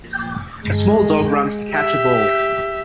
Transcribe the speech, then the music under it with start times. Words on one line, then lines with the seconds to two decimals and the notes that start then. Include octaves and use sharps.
A small dog runs to catch a ball.
0.67 G#3
1.71 G4 E5